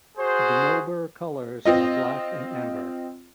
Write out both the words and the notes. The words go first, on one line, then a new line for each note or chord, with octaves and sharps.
The Nobber colours are black and amber.
F#4 G#4 C5
C4 F4 D#5